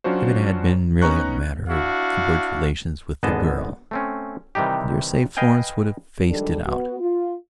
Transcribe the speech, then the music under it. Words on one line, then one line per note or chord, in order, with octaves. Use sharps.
If it had been merely a matter of Edward's relations with the girl I dare say Florence would have faced it out.
F#3 C#4 D4 F4 F#4 C5
B3 C#4 D#4 A#5 C#6 F#6
D4 E4 F#4 F5
G#1 D3 B3 G#4 D#5 A5
A3 C4 C#4
C3 D#3 E3 G3 D#4 G4
B4 D#5 F5 G5 G#5
D#3 F3 G3 G#3 D4 A4
B3 F#4
F4